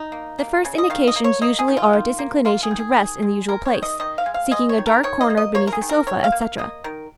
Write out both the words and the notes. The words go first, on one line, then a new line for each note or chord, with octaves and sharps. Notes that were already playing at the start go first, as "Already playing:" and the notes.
The first indications usually are a disinclination to rest in the usual place, seeking a dark corner beneath a sofa, etc.
Already playing: D#4
A#3
A#3
C#3
D#5
D#3 F5
D#5
A#3
C#5
A#3 D#5
G#4
D#3
F4
D#3
A#3
A#3 F4
G#4
D#3
G#4
D#3 G#4
G#3
G#3 A#4
C#5
D#3
D#5
D#3 D#5
F5
G#3
F5
G#3 D#5
C#5
D#3
A#4
D#3 C#5
D#5
A#3
D#5
A#3 C#5
A#4
G#4
D#3
A#4
D#3 C#5
F5
A#3
F5
A#3 D#5
D#3 A#4